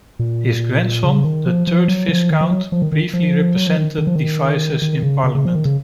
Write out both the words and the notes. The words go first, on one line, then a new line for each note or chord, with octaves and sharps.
His grandson, the third Viscount, briefly represented Devizes in Parliament.
A#2
C#3
D#3
F3
F3
F#3
F3
D#3
F3
F#3
F3
D#3
D#3
F3
F#3
F3
D#3
D#3
F3
D#3
D#3
C#3
C#3
C#3
F3
D#3
C#3